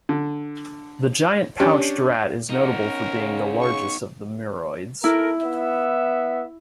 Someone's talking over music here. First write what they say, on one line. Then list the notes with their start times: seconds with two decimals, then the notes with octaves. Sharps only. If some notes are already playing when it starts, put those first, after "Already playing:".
The giant pouched rat is notable for being the largest of the muroids.
0.09 D3
1.60 C#4 D4 G4
2.50 F2 D#4 F#4 A#4
2.82 C#4
3.14 C#3
3.60 C#6
5.04 E4 A4 A#4
5.41 B3 E5